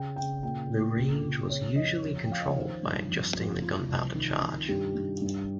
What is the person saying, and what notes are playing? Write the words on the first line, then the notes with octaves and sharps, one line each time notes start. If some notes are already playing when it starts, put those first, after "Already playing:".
The range was usually controlled by adjusting the gunpowder charge.
Already playing: C#3 G5
C#3 G5
A#2 G5
A#2
C#2
C#2
C#3 C#5
F2 D#5
F2 C#5
G5
F3 F5
D#5
C#5
D#3 C5
G2
F2
F2
F3 F4
C2
D#3
D#3
G2 G4
G2
G2